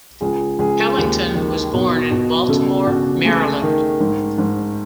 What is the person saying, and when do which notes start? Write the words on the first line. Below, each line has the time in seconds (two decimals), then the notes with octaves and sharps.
Pellington was born in Baltimore, Maryland.
0.21 C#2 G#4
0.59 C#2 G#4
0.97 D#2
1.35 D#3
1.73 B2
2.11 B2
2.48 C#3 A4
2.86 C#3 F#4
3.24 A3 G#4
3.62 D#3
4.00 G#2
4.38 G#2